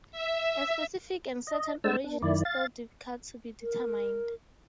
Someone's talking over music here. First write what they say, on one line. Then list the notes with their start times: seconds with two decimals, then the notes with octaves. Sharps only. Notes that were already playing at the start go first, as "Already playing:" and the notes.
A specific and certain origin is still difficult to be determined.
0.12 E5
1.47 D#5
1.84 G#3 A3 D4 C5 A5 E6
2.04 D4
2.22 F#2 D#3 E4 D5
2.45 F5 A6
3.62 A#4